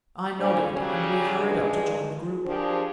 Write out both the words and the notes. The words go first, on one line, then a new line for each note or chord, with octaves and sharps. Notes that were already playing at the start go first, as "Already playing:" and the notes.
I nodded, and we hurried up to join the group.
G2 A#2 C#4 D4 F4 C5
C#3 F#3 G3 C#4
G2 G#3
F3 D4 G4 G#4 A#4 C5